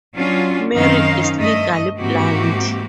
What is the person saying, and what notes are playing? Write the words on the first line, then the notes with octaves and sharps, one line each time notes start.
Merrick is legally blind.
F#3 C#4 D4 F4
F#2 D#3 C4 C#4 D#4 F5
G2 A3 D#5 E5
G#2 E3 A#3 C4 F#4 G4